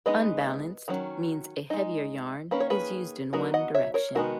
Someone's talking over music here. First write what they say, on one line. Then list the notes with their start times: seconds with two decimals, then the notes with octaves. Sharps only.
Unbalanced means a heavier yarn is used in one direction.
0.06 G#3 B3 D#4 B4 D#5
0.88 D#3 F#3 C#4
1.70 G#3 D#4
2.51 D#3 A#3 C#4 B4
2.60 C#5
2.70 G#4 B4
3.33 F#3 B3 D#4 F#4 A#4
3.54 D#5 F#5
3.75 C#5 E5
3.94 A#4 C#5
4.15 D#3 G#3 B3 D#4 F#4 A#4